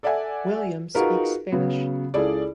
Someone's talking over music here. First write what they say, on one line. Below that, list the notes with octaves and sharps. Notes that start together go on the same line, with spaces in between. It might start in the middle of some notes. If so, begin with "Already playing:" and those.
Williams speaks Spanish.
A4 D5 E5 F#5 G#5
D#4 F4 F#4 G#4 A#4 B4
C#3 F#3 B3
C#2 E4 G#4 A4 D5